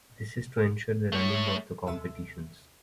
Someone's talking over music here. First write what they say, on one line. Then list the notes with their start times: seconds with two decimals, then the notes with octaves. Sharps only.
This is to ensure the running of the competitions.
1.12 A3 C#5
1.87 D#2 C3 A4 E5 E6